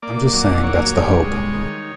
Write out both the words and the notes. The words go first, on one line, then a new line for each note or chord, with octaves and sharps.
I'm just saying that's the hope.
A#3 D5
F#3
D5
A#3 C#5
G3
G#3
D#3